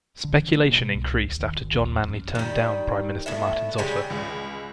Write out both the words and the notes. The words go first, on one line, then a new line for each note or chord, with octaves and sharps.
Speculation increased after John Manley turned down Prime Minister Martin's offer.
D3
E3
A#3
B2
C2
D#2
D#3
G#1
D#2
F2
F#2
D#3 G3
A2 B3 E5
C#3 G3 G#3 C#4
C#2